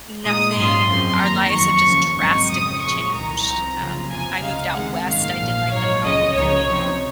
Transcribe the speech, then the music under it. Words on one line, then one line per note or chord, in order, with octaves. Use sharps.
nothing our lives have just drastically changed, um, I moved out west, I did like the mountain thing and
A#2 G#3 D#4 D#6
G#2 F#3 C#4 F4 C6
F#2 F3 G#3 C4
F#2 D#3 A#3 A#5
F2 D#3 F#3 C#6
D#2 C#3 F3
G#1 G#2 F#3 C4 D#4 C#6
F2 C#3 F#3 D#6
A#2 F3 G#3 C#6
C2 C3 D#3 A#5
C3 F3 C4
F2 C#3 F#3 A#3 F4
F2 C3 F3 G#5
C#2 C#3 G#3 D#4 F5
C3 D#3 G#3 F#5
G#1 F#2 D#3 A#3 F5
A#1 A#2 F3
G#2 F#3 A#3 D#4 C#5
C#2 C3 F3 G#3 C#4 D#5
C#2 C#3 F3 A#3 D#4 C#5
C3 F3 C4 D#4